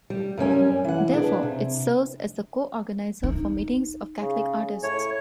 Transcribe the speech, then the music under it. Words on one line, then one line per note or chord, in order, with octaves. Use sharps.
Therefore, it serves as the co-organizer for meetings of Catholic artists.
G3
F#2 G3 C#4 G#5
E3 F#5
D4 G#4 B4
C3
D#4
C#3
A2 C#5